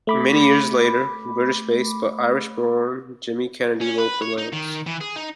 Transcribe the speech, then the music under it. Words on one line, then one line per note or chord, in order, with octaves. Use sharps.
Many years later British-based, but Irish-born Jimmy Kennedy wrote the lyrics.
A3 B5 D6
C#4
B4
C#5
D#4
D#3
E3
G#4
D#4